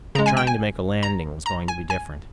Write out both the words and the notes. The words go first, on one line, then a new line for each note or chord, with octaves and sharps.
But trying to make a landing was going to be different.
C#3 G#3 A#5
G#5
G5
G#5
A#5
A#5
G#5
G#5